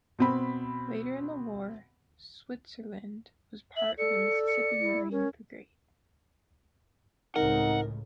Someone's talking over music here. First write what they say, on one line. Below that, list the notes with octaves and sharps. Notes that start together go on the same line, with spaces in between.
Later in the war, "Switzerland" was part of the Mississippi Marine Brigade.
B2 C4 B5
E5 F#7
A4 D5 C#7
C#7
E4
C#4 A#4
C#2 A2 C4 D#4 A#4 F#5